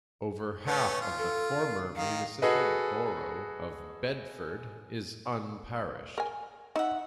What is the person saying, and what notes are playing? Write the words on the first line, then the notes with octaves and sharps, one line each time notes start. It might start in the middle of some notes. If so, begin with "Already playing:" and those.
Over half of the former municipal borough of Bedford is unparished.
A3 C#4 B4
F4
A4
A#4
D#3 F5
F#4 G#4 A4 B4 D#5
A#4 G#5
D#4 E5 F#5